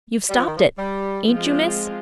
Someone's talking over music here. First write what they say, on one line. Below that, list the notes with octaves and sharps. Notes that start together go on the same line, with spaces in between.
"You've stopped it--ain't you, miss?"
G3
F3
D#3
F3
G3
F3 G#3 C4 F4